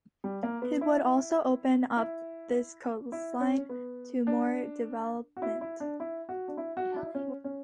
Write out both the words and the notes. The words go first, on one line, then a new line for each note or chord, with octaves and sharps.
It would also open up this coastline to more development.
G3
A#3
B3
E4
E4
E4
C#4
B3
D4
F#4
E4
E4
D4
E4
F#4
D4
E4
F#4
E4
C#4
C#4